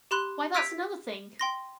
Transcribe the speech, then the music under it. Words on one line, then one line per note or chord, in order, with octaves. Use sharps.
'Why, that's another thing.
G4 B5 C6 F#6
E6 G#6 B6 D7 D#7 F7
G5 C6 A#6